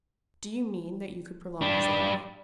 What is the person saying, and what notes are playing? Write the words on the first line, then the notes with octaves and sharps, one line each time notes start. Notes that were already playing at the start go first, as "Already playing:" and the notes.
"Do you mean that you could prolong his life?"
G3 D4